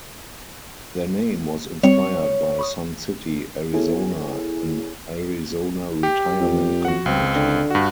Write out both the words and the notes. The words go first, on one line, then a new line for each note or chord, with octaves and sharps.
Their name was inspired by Sun City, Arizona, an Arizona retirement community.
G3 C4 C#5
B5 C#6 D#6
B3 E4 G#4 A4 C#5 G#5
G4
F2
F#4 F#5
C#2 C4
D3
G2 F#4